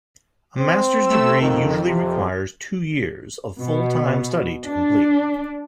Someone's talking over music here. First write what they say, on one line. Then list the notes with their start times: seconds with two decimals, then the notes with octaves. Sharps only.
A Master's degree usually requires two years of full-time study to complete.
0.58 C4
1.06 A3 E6
1.41 F2 D#3
1.85 C3
3.59 B2
4.64 D4